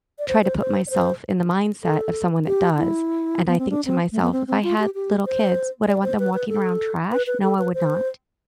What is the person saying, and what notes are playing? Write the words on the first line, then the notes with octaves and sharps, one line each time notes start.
try to put myself in the mindset of someone that does, and I think to myself, "If I had little kids, would I want them walking around trash?" No, I would not,
D5
C5
C5
C5
D5
C5
A4
G4
E4
B3
C4
D4
C4
A3
B3
C4
C4
F4
G4
G4
C5
D5
C5
B4
B4
A4
B4
B4
A4
B4
C5